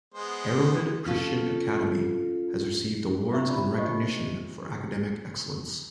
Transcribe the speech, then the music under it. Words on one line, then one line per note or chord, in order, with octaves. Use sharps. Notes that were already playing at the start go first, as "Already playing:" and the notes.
Arrowhead Christian Academy has received awards and recognition for academic excellence.
G#3 B3 C5
C#4 F4 A4
D4 E4 C5 E5 A#5 C#6
C#4 F4 G4 D5 B5
D#4 F4 C5 D5 D#5 C#6